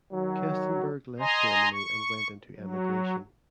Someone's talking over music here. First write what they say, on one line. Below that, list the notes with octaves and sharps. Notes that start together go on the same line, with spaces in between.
Kestenberg left Germany and went into emigration.
D#3 F#3
D#5 G#5 A#5 C6
C#6
F#3